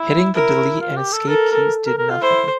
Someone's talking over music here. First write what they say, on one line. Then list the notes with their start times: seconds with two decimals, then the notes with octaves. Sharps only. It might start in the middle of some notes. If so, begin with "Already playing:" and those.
Hitting the delete and escape keys did nothing.
Already playing: E4
0.34 E4 A#4
0.81 F4
0.97 G4
1.13 A4
1.28 A4 A#4
1.52 A#4
1.87 A#4
1.98 A#4
2.10 F4
2.22 E4 C5